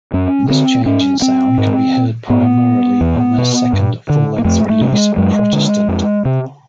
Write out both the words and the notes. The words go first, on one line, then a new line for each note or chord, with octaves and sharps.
This change in sound can be heard primarily on their second full-length release, "Protestant".
F#2 C#4
D3 C4
G#2 C#4
C4
G#2
G#2 B3
E2
B2
G2
D3
A#3
F2 A3
A3
C3
G#3
F#2 G#3
D3
F2
C3